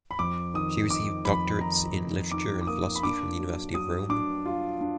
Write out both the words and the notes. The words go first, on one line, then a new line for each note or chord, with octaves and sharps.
She received doctorates in literature and philosophy from the University of Rome.
B5
F2 D6
D#3 D#6
D#4 D6
F2 B5
D#3 A#5
F2
D#4 D6
D6
A#3 D#6
B5
D4 D6
F#3
F#3 D#6
D4 D6
F4
D4